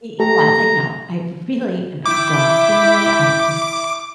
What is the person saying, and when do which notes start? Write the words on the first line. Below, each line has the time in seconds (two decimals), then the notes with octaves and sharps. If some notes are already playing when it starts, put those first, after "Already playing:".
I Yeah, it's like, "No, I really am exhausted. I just
0.20 A3 G4 A4 A#5
2.06 E4 G5 D6